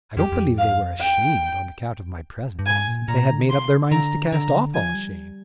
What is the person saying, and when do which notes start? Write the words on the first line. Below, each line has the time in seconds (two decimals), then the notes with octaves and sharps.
I don't believe they were ashamed on account of my presence: they had made up their minds to cast off all shame!
0.17 F2 G4
0.32 F2
0.58 F5
1.00 G5
2.59 G2
2.66 G#2 G#5
2.87 A#2
3.08 A#2 A#5
3.29 D3
3.50 C6
3.91 D3 A#5
4.32 D3 A#5
4.49 C3
4.53 D3
4.74 F3 G#5
4.94 G3